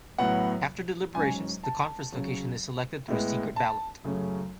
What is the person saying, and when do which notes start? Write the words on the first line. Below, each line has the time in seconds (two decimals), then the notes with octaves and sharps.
After deliberations, the conference location is selected through a secret ballot.
0.18 A2 F#3 B3 F#5
1.15 G#2 F#3 C#4 G#5
1.64 A5
2.12 C#3 F#3 C#4
3.08 A2 G#3 B3
3.56 A5
4.04 F#2 C#3 F#3 A3 C#4